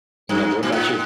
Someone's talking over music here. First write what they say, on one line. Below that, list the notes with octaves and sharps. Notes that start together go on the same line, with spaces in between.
you know? But what about you?
G2
A#2
A2